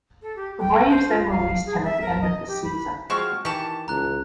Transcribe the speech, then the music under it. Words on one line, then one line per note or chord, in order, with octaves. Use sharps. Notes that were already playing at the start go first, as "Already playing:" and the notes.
The Braves then released him at the end of the season.
A4
G4
G5
C5
F4
F5
G#4
E5
A#4
D#5
G4
B5
F3 G#3 C4 F#4 C#6 F6
D#3 E3 G4 A5 C#6
C#2 A#5 F#6